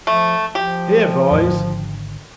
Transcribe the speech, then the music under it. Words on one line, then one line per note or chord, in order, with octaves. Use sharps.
Here, boys!
F3 A3
F3 G4
E2 A2
G#1 D3